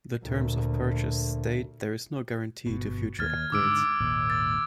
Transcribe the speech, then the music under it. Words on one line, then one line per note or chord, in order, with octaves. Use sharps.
The terms of purchase state there is no guarantee to future upgrades.
D2 A#2
G1 B2
D#2 F6 G#6 A6
G#2 D3 D6 E6 D7
G#1 D#2 A#2
A6